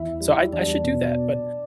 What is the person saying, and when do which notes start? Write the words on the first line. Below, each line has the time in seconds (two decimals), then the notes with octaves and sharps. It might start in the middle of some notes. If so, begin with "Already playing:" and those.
So I I should do that, but
Already playing: E2 E4
0.21 G3
0.53 E2 D4
0.84 B2